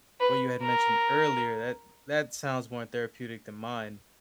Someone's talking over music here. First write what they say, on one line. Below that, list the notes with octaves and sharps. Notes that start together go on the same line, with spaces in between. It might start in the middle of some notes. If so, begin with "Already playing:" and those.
what you had mentioned earlier, that that sounds more therapeutic than mine.
B4
A#4